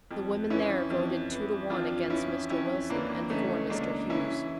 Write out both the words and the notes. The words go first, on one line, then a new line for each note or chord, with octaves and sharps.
The women there voted two to one against Mr. Wilson and for Mr. Hughes.
F2
E3 C#4 E4
F2
E3
F2 D4 F4
E3 C#4 E4
F2 C#4 E4
E3 A#3 D4
C#2 A3 C#4
C#2 A#3 D4
E3 C#4 E4